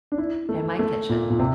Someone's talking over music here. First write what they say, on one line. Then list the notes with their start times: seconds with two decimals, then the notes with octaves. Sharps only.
in my kitchen
0.12 D4
0.18 E4
0.49 A3
0.79 A3
1.09 A#2
1.30 A#2
1.40 C3